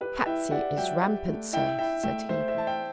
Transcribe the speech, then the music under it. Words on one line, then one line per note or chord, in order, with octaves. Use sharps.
"Patsy is rampant, sir," said he.
G4 B4
E4 E5 G5
G4 D5 F#5
F#3 E5 G5
G4
A3
E4 E5 G5
E4 E5 G5
A3 E5 G5
A3 C5 E5
C5 E5
E3 A5
E5 G5